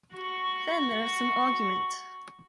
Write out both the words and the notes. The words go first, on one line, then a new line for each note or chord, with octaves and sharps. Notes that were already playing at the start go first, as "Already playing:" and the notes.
Then there is some argument.
F#4 C#6